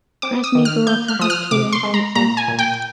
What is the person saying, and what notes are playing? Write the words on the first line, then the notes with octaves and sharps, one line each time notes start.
Krasnye Vorota has two entrances.
C4 D6
D#6
D#3
F6
A#3 G6
F6
F3 D#6
F6
C3 D6
C6
G#3
A#5
A#2 A#5
G#5
A#2
G5